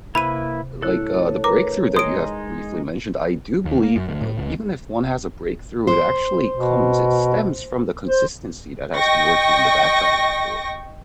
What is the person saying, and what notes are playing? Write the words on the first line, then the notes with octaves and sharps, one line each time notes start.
like, uh, the breakthrough that you have briefly mentioned, I do believe, uh, even if one has a breakthrough, it actually comes it stems from the consistency that has been working in the background before.
C3 A#3 E4 B4 B5 D#7
G2 A3 E4 A4 C#5 F#6
A#4 B4 A#5 D6
G#3 D#4 C6 D#6 D7
D#2
A#3
F#2
D2
A2
C#2
C5
B2
C5
D#5 G5 C#6 A#6